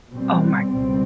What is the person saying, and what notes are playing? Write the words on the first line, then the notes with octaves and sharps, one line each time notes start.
Oh my
B2 G3 C4
C#2 B2 G3 C4